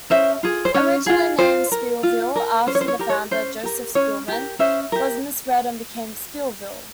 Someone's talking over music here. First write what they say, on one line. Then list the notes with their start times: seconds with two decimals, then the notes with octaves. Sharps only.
Originally named Spielville after the founder, Joseph Spielman, it was misread and became Spillville.
0.10 C#4 C5 E5
0.43 F4 G#4
0.65 C5
0.74 C#4 C#5
1.06 F4 G#4
1.39 F4 C5
1.72 A#4
2.03 F4
2.36 A#4
2.67 C#4 C5
2.75 C#5
2.81 C5
2.88 C#5
2.99 G4 A#4
3.09 C#5
3.31 C#4 C5
3.63 G4 A#4
3.95 C#4 C#5
4.28 G4 A#4
4.59 C#4 C5 E5
4.92 G4 A#4